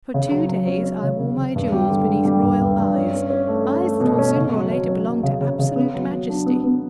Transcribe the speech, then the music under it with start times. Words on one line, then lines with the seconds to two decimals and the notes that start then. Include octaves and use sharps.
For two days I wore my jewels beneath royal eyes,--eyes that will sooner or later belong to absolute majesty.
0.14 C#3
0.31 F#3
0.49 F#3
0.67 C#4
0.84 C#4
1.03 C#3
1.19 C#3
1.38 C#3
1.56 G2
1.72 G3
1.91 D3
2.08 D3
2.25 G3
2.43 G2
2.61 G2
2.78 G2
2.95 C#4
3.13 C#4
3.30 C#4
3.48 A3
3.65 C#4
3.84 A3
4.00 B2
4.19 C#4
4.36 C#3
4.54 F#3
4.71 F#3
4.88 C#4
5.06 F#3
5.23 C#3
5.41 C#3
5.59 C#3
5.76 B3
5.95 F#3
6.12 F#3
6.30 D4
6.46 B3
6.64 B3